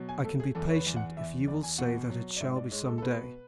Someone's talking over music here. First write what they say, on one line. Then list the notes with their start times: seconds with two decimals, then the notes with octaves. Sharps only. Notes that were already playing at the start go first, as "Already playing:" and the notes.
I can be patient if you will say that it shall be some day.
Already playing: B2 F#3
0.09 G#5
0.24 A3 A4
0.40 G#4
0.55 E2 A4
0.69 C#5
0.76 B4
0.87 E2
0.96 F#5
1.17 E2 E5
1.48 E2 D5
1.63 G#5
1.78 B2 F#5
2.09 F#3
2.37 D5
2.40 G#2 E5
2.56 D5
2.71 G#3 C#5
2.87 A4
2.98 A4
3.02 B2 B4